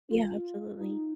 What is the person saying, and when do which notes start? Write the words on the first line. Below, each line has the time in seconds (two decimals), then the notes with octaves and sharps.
Yeah, absolutely.
0.11 F4
0.80 D#4